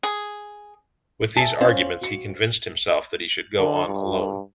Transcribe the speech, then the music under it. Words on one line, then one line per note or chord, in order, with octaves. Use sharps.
With these arguments he convinced himself that he should go on alone.
G#4
G#4 E5 A5
C4 C#4 C5 F5
F#4 C#7
D3
G2